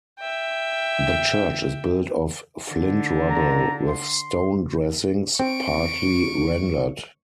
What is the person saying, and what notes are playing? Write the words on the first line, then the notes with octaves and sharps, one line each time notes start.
The church is built of flint rubble with stone dressings, partly rendered.
E5 G5
D3
A#5
C6
C4 C#6 D7